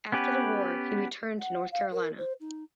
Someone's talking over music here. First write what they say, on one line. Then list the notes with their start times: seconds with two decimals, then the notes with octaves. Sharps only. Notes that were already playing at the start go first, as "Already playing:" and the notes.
After the war, he returned to North Carolina.
0.12 B3 C#4 G4 B4
1.39 F#5
1.71 F5
1.91 A#4
2.18 C5
2.40 D#4